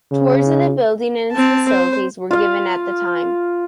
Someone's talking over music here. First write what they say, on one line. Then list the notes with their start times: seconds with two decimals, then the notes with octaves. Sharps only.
Tours of the building and its facilities were given at the time.
0.12 C#3
1.32 C4 A5
1.68 C5
2.31 F4 F5